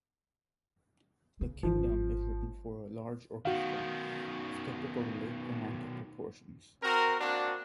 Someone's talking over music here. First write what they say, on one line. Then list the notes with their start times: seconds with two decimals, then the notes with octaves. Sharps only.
"The Kingdom" is written for a large orchestra, of typical late Romantic proportions.
1.41 C#3
1.63 G#1 F3
3.45 B2 D#3 F#4 F5
6.83 C4 F#4 A#4
7.21 A#3 C4 D4 F#4